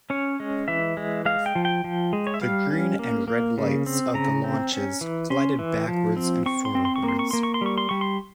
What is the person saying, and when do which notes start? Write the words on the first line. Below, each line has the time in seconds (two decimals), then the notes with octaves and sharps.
The green and red lights of the launches glided backwards and forwards.
0.10 C#4 C#5
0.40 G#3
0.68 E3 E5
0.97 G#3
1.25 G#3 F5
1.46 G5
1.55 F3
1.65 G5
1.84 F3
2.13 G#3
2.27 C#5
2.34 E5
2.41 G3 F5
2.71 C#4
2.99 A#3
3.28 A#3
3.58 C#3
3.86 C4
4.14 C#3 A#5
4.44 C4
4.73 C#4
5.01 E3
5.30 C#4 C6
5.59 E3
5.88 F3
6.17 C4
6.46 C4 C#6
6.65 C6
6.75 C4
6.85 C6
6.96 C#6
7.03 A#3
7.08 C6
7.19 C#6
7.31 A#3 C6
7.43 C#6
7.54 C6
7.61 G3 C#6
7.78 C6
7.89 G3 C#6
8.01 C6